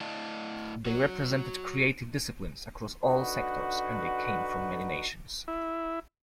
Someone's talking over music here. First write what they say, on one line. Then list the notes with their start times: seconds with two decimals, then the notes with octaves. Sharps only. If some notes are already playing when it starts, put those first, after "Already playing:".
They represented creative disciplines across all sectors, and they came from many nations.
0.01 A3 E4 D5 D#5 F5 A5
0.85 F#4 C#5
3.03 D3 D#4 F#4 B4
5.48 E4